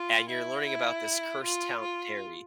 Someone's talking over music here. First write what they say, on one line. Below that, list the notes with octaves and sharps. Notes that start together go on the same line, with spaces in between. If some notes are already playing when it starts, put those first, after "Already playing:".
and you're learning about this cursed town Derry.
Already playing: F4
E4
E4
F4
F4